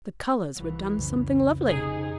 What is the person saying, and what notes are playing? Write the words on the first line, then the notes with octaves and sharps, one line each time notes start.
The colours were done something lovely.
C2 E3
F2 C#3 C#4
C3 D#4 G#4